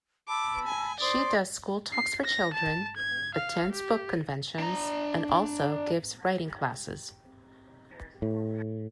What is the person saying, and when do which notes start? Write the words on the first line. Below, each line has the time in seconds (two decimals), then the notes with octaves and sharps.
She does school talks for children, attends book conventions, and also gives writing classes.
0.28 A5 B5 D6 E6
0.67 G#5
1.00 C5 D5 C6 D#6
1.93 C7
2.24 A#6
2.54 A5
2.97 G#6
3.35 F5
3.72 G4
4.59 D4 A#5
8.22 A2